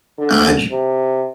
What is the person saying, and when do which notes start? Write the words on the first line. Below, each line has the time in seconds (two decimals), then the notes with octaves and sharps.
I j
0.18 D3
0.72 C3